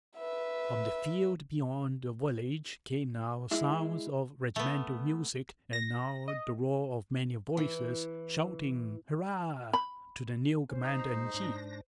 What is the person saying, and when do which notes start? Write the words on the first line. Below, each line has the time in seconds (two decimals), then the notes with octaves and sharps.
From the field beyond the village came now sounds of regimental music and now the roar of many voices shouting "Hurrah!" to the new commander-in-chief.
0.17 B4 E5
3.51 G#3 E4
4.56 A3 B3
5.73 A#6
6.28 D#5
7.57 E3
9.73 B5
10.70 C#4 C5
10.83 D#4 A#5
11.14 G#3
11.34 G#2 D4 A#6